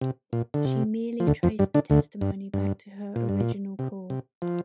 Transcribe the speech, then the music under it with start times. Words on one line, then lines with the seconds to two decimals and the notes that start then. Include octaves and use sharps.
She merely traced the testimony back to her original core.
0.01 C3
0.33 A#2
0.54 D3
0.65 C3
1.20 F3
1.27 D2 D3
1.43 F2 F3
1.59 G2 G3
1.74 D3 D4
1.90 D2 D3
2.21 G2
2.54 G2
3.16 A#2
3.29 G2
3.40 A#2
3.79 C3
4.10 C3
4.42 F3